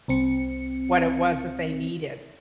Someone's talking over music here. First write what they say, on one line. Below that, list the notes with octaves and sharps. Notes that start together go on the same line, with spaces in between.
what it was that they needed.
C2 C4 C#7